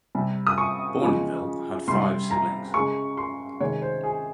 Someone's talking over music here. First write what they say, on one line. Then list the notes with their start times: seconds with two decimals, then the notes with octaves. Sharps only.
Bournonville had five siblings.
0.15 C3 G3
0.47 D#6
0.58 C#6
1.01 C#3 F3 G#3
1.88 C3 G3 C6
2.31 A#5
2.74 C#3 G#3 C#6
3.17 C6
3.60 C3 D#3 G#3 C#5
3.82 C5
4.04 G#4